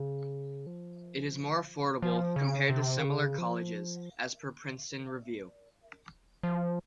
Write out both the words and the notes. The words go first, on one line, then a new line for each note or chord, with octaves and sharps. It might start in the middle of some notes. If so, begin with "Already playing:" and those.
It is more affordable, compared to similar colleges, as per Princeton Review.
Already playing: C#3
F3
F3
C#3
C3
D#3
C#3
F3
F3